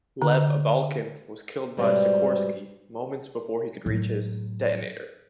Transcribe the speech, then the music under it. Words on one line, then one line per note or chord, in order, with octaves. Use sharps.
Lev Abalkin was killed by Sikorski moments before he could reach his "detonator".
D3
G#2 B2 G3 C4 B4 D5
A2 F#3